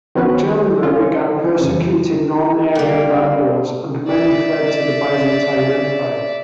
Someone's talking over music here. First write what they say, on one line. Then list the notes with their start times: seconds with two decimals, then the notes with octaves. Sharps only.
Gelimer began persecuting non Arian Vandals, and many fled to the Byzantine Empire.
0.15 D#3 F3 B3 C#4 F#4 B4
0.83 C#4 F4
1.58 F2 C#3 E3
2.75 G3 A#3
4.07 D5 E5